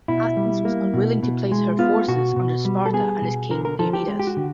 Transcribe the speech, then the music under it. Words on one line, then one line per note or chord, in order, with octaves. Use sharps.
Athens was unwilling to place her forces under Sparta and its King Leonidas.
B2 E4
G3
A#3
B2
B2
G#3
B3 F4
B2 F#4
B2
G3
A4
B3 G#4
B2
D3 A#4
A#4
F3 A4
G4
G#3
G4
F#4
D3